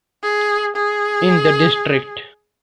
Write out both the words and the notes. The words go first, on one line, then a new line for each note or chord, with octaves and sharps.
In the district.
G#4
G#4